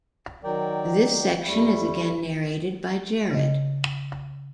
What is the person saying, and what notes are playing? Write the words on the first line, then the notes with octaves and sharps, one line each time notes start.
This section is again narrated by Jared.
D#3 F#3 A#4 D5 G5
F2 G3 A3 E4
C#3 D#5